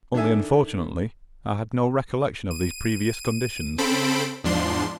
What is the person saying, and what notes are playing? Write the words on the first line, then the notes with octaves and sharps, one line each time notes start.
Only, unfortunately, I had no recollection of these previous conditions.
D#3 D4 A4 E5 G#5
D#7
C#3 C4 A4 C5 B5 D7
E2 G#2 F3 D4 C6